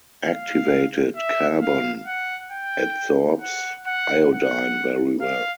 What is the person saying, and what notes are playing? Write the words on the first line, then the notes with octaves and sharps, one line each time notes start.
Activated carbon adsorbs iodine very well.
F5
E5
F5
F#5
G5
F#5
F#5
F#5
F5